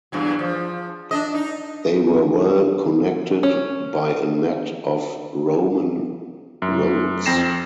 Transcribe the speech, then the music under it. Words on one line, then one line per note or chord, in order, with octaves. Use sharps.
They were well connected by a net of Roman roads.
E2 G2 F#3
F3
D4 D#5
D#4
C#4
F#2
F2 C4 G5 A#6 C7 E7